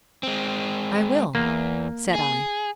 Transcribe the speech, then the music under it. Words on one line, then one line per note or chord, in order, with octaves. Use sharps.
"I will," said I.
G#3 C4
E2 A#3
G#4